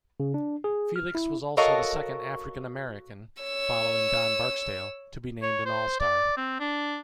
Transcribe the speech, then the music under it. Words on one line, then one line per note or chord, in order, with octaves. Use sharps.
Felix was also the second African-American, following Don Barksdale, to be named an All-Star.
C#3
D4
G#4
F6
E4
F#4 A4 A#4 C#5 D#5 F5
C#5 E6
C#5
C5
D5
C4
D4